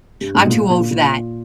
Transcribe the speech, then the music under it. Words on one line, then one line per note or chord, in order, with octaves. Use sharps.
I'm too old for that.
G2
G#2
B2
A#2
A#2
A#2
A#2